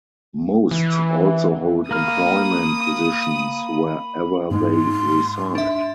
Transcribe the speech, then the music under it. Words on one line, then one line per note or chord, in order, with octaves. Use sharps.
Most also hold employment positions where ever they reside.
E3
A#3 B5 D#6 F6
G#2 C6
D4 E5